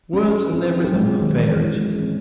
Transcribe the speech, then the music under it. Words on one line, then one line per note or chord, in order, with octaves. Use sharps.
Words and their rhythm have varied.
C#4
C4
F#3
G#3
D#3
E3
D#3
E3
G#3
C#4
C4